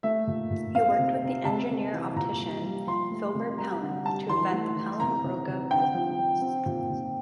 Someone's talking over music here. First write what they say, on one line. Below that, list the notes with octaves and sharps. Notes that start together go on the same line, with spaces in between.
He worked with the engineer-optician Philibert Pellin to invent the Pellin-Broca prism.
A3 E5
A#2
A#2
C4 F5
C3
C3
C3 A5
C3
E3
A#2 A#5
G3
G3
F3 C6
A3
C3
G3 A#5
D3
G3 A5
E3 C6
A3
E3
C3 A#5
C3
C3
D3 G5
F3
F3
C4
A#2
A#2